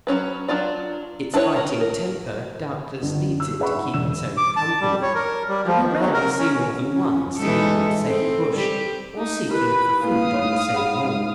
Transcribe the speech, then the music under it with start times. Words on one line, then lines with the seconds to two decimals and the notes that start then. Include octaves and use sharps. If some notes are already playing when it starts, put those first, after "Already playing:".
Its fighting temper doubtless leads it to keep its own company, and we rarely see more than one singing on the same bush, or seeking for food on the same lawn.
0.07 F#3 C4 C#4 B4
0.48 F#3 D4 F4 D5
1.34 D4 E4 B4 C#5
1.56 A#4
1.81 A#4
3.02 G1
3.25 F#2
3.40 E6
3.59 G#4 B4 E5 F#5 B5 C#6
3.74 G#2 G#3
3.94 E1 E6 E7
4.37 D6
4.56 A5
4.81 G3
5.02 C#5
5.15 A#4
5.48 G3
5.67 F3
5.82 D#3
5.99 F#3
6.14 A#4
6.38 C#4
6.90 C#4
7.38 E3 G#3 D#4 A4
8.06 C4 A4
8.54 G3 G4
9.17 D#4
9.51 E4 G4 A#4 B4 B5
10.03 A#3 E4 B4 F5 D#6
10.33 A3 D#4 C#5
10.72 G#4 F#5 B5
11.04 G#3 D#4